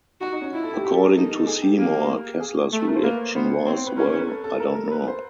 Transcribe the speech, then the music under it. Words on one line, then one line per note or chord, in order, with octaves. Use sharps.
According to Seymour, Kessler's reaction was, Well, I don't know.
D#4 F#4
D#4
C#4
E4 F4
A4
G4
G4
A4
A#4
D#4 A4
A4
G#4
G4
A#3
G#4
A3
A#4
C5
A#3 B4
B3 C5
C4 C#5
C5
B4
C#4 A#4
B4
B4
A4
A4
A#4
A4
A#4
B4
C5